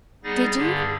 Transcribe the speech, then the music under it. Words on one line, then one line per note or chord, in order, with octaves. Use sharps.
Did you?
G3 B3 D#4 G#4 A6 A#6
G2 D3 G4 G#4